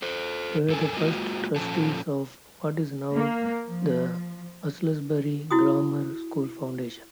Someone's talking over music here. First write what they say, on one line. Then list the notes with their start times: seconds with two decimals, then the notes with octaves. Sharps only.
They were the first trustees of what is now the Aylesbury Grammar School Foundation.
0.02 A4 C5
0.69 G2 A4 A#4 G#5
0.97 G#3 A#3 F4 F#4 D#5
1.56 A#2 F3 C#4 A4 A5
3.14 A#3
3.65 F3
5.51 E4 F#4 D#6